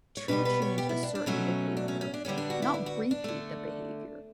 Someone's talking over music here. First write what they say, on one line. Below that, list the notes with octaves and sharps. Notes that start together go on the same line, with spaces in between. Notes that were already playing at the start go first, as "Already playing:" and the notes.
to change a certain behavior, not repeat the behavior.
C#5
B2 G3 B3 B4
B4
C#5
G4
E4
D4
D4
B2 F#3 A3 C#4
D4
C#4
C#4
D4
D3 G3 B3 C#4
D4
F#4
E4
D4
F#4
D4
D3 A3